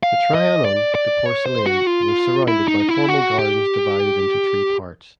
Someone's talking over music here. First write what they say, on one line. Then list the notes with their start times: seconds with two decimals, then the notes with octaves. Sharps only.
The Trianon de Porcelaine was surrounded by formal gardens divided into three parts.
0.03 F5
0.35 D#5
0.65 D5
0.95 D5
1.26 C#5
1.46 C5
1.66 F#4
1.87 F4
2.48 E4
2.68 D#4
2.89 E4
3.09 F#4
3.39 G4